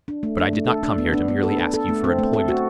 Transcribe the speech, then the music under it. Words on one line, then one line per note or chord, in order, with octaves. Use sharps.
But I did not come here to merely ask you for employment.
D4
A3
D4
A3
A4
D4
B3
D4
B3
A4
A4
A4
A3
C4
A3
A4
F#4